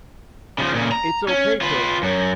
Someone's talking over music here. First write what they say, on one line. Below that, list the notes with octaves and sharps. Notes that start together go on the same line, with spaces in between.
it's okay to l
C#3 F3
A#2 C#3
A#5
C#4
F4 B4
F#2